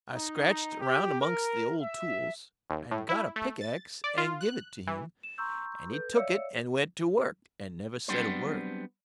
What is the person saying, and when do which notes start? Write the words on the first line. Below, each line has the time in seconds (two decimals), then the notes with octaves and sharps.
I scratched around amongst the old tools, and got a pickaxe and give it to him, and he took it and went to work, and never said a word.
0.13 D#4
0.81 G4
1.20 A#4
1.81 E5
2.70 D#2
2.91 A2
3.09 E4
3.36 A3
3.61 A6
4.04 D5
4.18 F4
4.41 F#6
4.87 E3
5.23 E7
5.38 A#5 C6 C#6 E6 G6
5.90 A4 B4 G6
6.14 C#5 D5 E5 F5 E6 C#7
8.08 F#3 G3 B3 C4 D4 C5